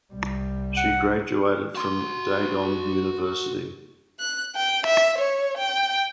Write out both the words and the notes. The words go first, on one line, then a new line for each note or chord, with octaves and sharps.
She graduated from Dagon University.
C2 G3
F#5
F#4 C6
F#6
G5
E5
C#5
G5